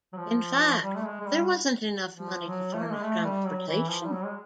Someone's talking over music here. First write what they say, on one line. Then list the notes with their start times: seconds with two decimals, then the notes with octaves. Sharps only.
In fact, there wasn't enough money to furnish transportation.
0.13 F#3
0.17 F3
0.83 G3
0.96 A3
1.05 G#3
1.21 G#3
1.27 G3
2.15 F3
2.48 F#3
2.73 A3
2.81 A#3
2.91 G#3
3.03 A3
3.24 G3
3.46 F#3
3.68 E3
3.90 F3
4.05 G3
4.12 F#3
4.25 G#3